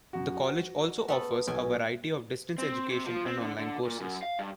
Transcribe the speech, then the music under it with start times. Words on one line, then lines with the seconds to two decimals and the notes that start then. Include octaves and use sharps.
The college also offers a variety of distance education and online courses.
0.13 F#2 F#4
0.34 F#4
1.08 A3 B3 A4
1.48 B1 B2 G#5
2.58 C4
2.91 C3
3.06 F3
3.26 C4
3.41 D3
3.59 D3
3.85 A#2
4.00 F#2
4.23 F5
4.39 G2